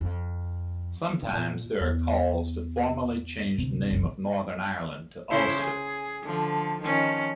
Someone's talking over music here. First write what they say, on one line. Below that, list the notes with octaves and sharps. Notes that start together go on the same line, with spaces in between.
Sometimes there are calls to formally change the name of Northern Ireland to Ulster.
F2
A#2
E2
D2 C3 C4
F#1 C2 F2
C#3 E4 C5
G#4
D3 F3
D#3 F3 C#4